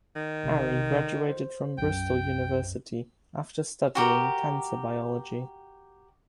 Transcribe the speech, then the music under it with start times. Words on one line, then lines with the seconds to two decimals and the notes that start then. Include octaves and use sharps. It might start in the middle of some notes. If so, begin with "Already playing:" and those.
Aryee graduated from Bristol University after studying cancer biology.
0.16 D#3
0.44 A#1 C3
1.29 C5
1.78 B1 F#2 G5
3.95 F#4 G4 A#4